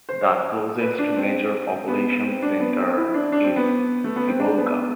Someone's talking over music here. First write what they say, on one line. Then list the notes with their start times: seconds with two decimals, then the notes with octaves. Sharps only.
The closest major population center is Sibolga.
0.09 C5
0.81 B4
0.98 D4
1.17 C4
1.88 B3
2.24 C4
2.42 D4
2.60 B3
2.78 C4
2.97 E4
3.14 D4
3.32 D4
3.44 C4
3.56 B3
4.04 A3
4.16 B3
4.27 C4
4.40 D4
4.58 B3